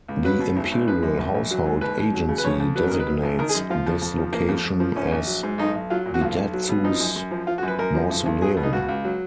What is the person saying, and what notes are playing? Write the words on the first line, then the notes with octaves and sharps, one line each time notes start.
The Imperial Household Agency designates this location as Bidatsu's mausoleum.
C#2
F#3 B4
B2
G#1
G#1
F3 B4
F#2
A#1
A#1
F#3
G#2
D#2 B4
D#2
F#3
C#3
B4
F2 C#5
F2
F#3 B4
D#3 A#4
B4
F#3
G#1
D#3 A#4
G#4
F#2
F3 F4
F2
F2
F3
F3 A#3
F2
F2
F3
A#1 C#4
A#1
F#3
G#2
B1 D#4
B1
F#3 F4
A#2
F#4
B1 F4
B1
F#3
B2
F3 D#4
F#2
F#2
F3
F3 F4
F#4
F#2 B4
F#2 A#4
F3
B1
B1
F#3 G#4
B2
D#4
C#2 F#4
C#2
F#3